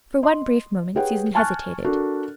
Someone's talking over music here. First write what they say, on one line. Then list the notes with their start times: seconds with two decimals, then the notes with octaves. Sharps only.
For one brief moment Susan hesitated.
0.23 D#5 C6
0.96 G4 G#4 B4 C#5 F#5 G5
1.35 G#5 A5 C#6 F6 F#6 A6
1.84 D4 F#4 A4 A#4